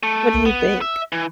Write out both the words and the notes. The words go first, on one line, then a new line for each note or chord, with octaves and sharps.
What do you think?
A3
B3
E5
E3